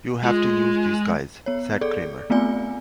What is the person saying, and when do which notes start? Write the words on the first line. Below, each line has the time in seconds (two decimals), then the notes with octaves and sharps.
"You have to use these guys," said Cramer.
0.23 G#3 F4
1.46 B3 C#5
1.81 G#4 A4 D5
2.30 A3 B3 C4 F4 D5 G#5